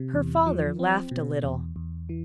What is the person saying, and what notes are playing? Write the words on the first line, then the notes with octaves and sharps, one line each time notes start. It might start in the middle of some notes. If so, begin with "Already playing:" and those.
Her father laughed a little.
Already playing: C3
E2
F3
C4
B2
E2
E2
E3